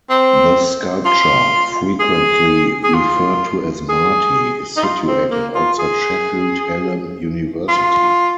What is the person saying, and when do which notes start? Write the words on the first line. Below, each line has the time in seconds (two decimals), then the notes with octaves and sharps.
The sculpture, frequently referred to as "Marti", is situated outside Sheffield Hallam University.
0.10 C4
1.05 F4
2.00 G#4
2.84 G#4
2.94 F4
3.89 G#4
4.77 D#4
4.84 F4
5.07 C4
5.31 A#3
5.55 F4
5.79 G#4
7.68 F4